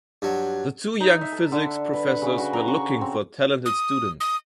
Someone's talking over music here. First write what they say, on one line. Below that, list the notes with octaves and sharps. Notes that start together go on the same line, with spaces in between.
The two young physics professors were looking for talented students.
G2 F#3
D#4
E5
A4
D3
B4
F#5
C#3
F#4
A#5
C#6
C4
D#6
D#6